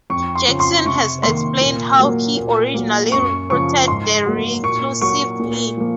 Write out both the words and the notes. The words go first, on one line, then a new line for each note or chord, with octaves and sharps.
Jackson has explained how he originally recruited the reclusive Lee.
F2 C#6
C6
C#3 F3
C6
C3 C#6
D#3 A#3 C6
A#2
F#3 A#3
A#2
F#3 A#3
F#2 C#6
C#3 F3 C#6
G#2 C6
F#3 A#3
A#2 C#6
F#3 A#3 C#6
A#2
F3 A#3